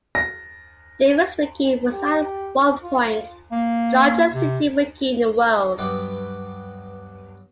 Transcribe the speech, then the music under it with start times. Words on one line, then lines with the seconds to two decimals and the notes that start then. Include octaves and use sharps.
DavisWiki was at one point the largest City Wiki in the world.
0.15 A#6
1.93 G4
2.83 F4
3.52 A#3
4.34 C3
5.78 G2 F#3 B3 G4 B4 E5